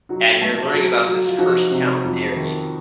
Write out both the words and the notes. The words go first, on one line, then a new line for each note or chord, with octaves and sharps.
and you're learning about this cursed town Derry.
F#3 D#4 F#4
A3
F#3
F#3
F4
F3 D#4 F#4
C3
F2
D#3